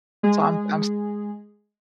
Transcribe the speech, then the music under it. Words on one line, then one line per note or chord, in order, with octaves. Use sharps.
So, I'm I'm s
G#3 G#4